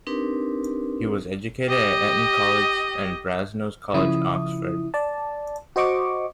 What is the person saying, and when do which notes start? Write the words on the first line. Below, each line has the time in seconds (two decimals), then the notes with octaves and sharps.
He was educated at Eton College and Brasenose College, Oxford.
0.07 C4 D4 D#4 G4 A#4 B4
1.68 G4 D#5
3.94 C#3 F3 E4 D#6
4.94 D5 A5
5.76 F#4 C5 D#5 C#6 D6